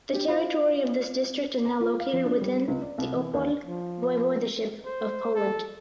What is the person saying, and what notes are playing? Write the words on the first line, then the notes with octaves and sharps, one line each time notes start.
The territory of this district is now located within the Opole Voivodeship of Poland.
D4 G4
E4 F4 C5 F5 B5
A#5
F4
F5
F3
D4
G3
C#2
D5
C2
E3
D#2
F3
C5
A4